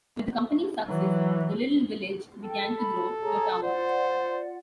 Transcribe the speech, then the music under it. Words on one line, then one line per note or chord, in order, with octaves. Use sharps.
With the company's success the little village began to grow to a town.
E3 F#3
A4 G5
B5
G#4 C#5 A#5
F4 C5 D5 F#5